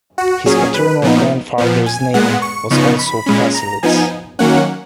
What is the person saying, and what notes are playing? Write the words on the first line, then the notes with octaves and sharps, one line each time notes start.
His paternal grandfather's name was also Fasilides.
F#4
A#2 F#3 C#4 G#4
B4
A#2 F3 B3 D#4
A#2 F3 B3
G#5
A#2 G#3 B3 F#5
C#6
C#3 F3 B3 D#4 C#6
B5
A#2 G#3 C#4
A#5
F3 B3 D#4 G#5
D#3 F#3 A#3 C#4 F#5